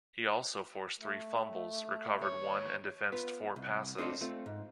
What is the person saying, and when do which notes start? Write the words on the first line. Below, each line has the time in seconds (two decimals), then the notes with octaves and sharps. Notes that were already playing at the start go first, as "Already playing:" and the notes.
He also forced three fumbles, recovered one and defensed four passes.
1.01 A3
2.21 D#2 C#5
3.12 B3 F4 B4
3.56 C2
3.98 A3 C4 D4 D#4 F4 A4
4.21 A3 C4 F4
4.46 G#2